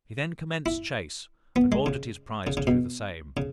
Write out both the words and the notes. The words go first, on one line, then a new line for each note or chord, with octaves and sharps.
He then commenced chase, and ordered his prize to do the same.
E4
B3
G#3
C#3
C#3
C#3
B2
C#3